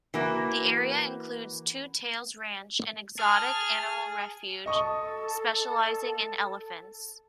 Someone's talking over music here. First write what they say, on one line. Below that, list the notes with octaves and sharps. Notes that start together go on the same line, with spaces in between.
The area includes Two Tails Ranch, an exotic animal refuge specializing in elephants.
E3 A#3 F#4
G#4 A5 F6
A4 D#5 C#6 D#6